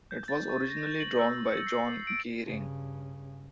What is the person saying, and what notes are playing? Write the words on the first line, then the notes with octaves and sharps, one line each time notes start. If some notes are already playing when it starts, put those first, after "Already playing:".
It was originally drawn by John Geering.
G6
A6
C#6
A#6
G6
F#7
E6
C#7
C7
D7
G2 C#3